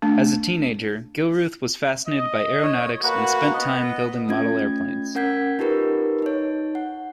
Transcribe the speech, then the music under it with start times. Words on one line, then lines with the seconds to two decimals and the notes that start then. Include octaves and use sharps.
As a teenager, Gilruth was fascinated by aeronautics and spent time building model airplanes.
0.02 A3 D4
2.08 D#5
2.63 C#5
3.03 A#3 F#4 B4 F#5
3.54 B3 D#5
4.28 A3 C#4 F4 G#6
5.15 C#4 A#4 F#5 G6 G#6 B6
5.59 D#4 F4 G4 A#4 B4
6.22 D#4 C#5
6.75 F#5